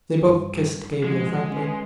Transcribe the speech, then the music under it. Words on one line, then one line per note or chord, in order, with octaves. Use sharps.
They both kissed Gabriel frankly.
G2
F3 G#3 F#4
C#4 B4